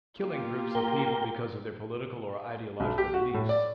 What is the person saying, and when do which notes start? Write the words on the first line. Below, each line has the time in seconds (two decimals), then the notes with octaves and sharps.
Killing groups of people because of their political or ideological beliefs.
0.19 A#3 F4 G4
0.75 A#4 G5
2.80 B1
2.98 G4
3.14 F#4
3.34 A2
3.49 D5